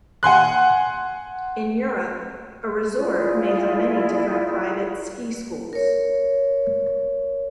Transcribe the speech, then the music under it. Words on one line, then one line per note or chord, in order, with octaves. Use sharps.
In Europe, a resort may have many different private ski schools.
F#5 G#5 C6 F#6
E4 F4 G#4 D5
A#4 C#5